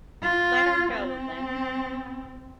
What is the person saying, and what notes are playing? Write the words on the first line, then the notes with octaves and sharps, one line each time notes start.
Let her go, then.
F4
C4